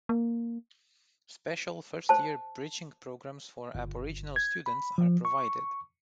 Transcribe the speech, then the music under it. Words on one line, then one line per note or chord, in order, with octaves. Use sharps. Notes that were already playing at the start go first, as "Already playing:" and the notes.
Special first-year bridging programs for Aboriginal students are provided.
A#3
C5 A5
G1
G#6
B5
F3
C#6